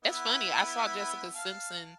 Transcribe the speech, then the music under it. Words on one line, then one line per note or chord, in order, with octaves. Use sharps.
it's funny, I saw Jessica Simpson,
B3 E4
F5 A5